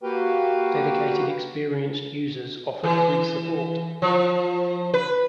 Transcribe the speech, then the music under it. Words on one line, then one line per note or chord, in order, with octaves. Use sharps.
Dedicated experienced users offered free support.
A#3 F#4 G4 B4 F5 G5
E3
F3
B4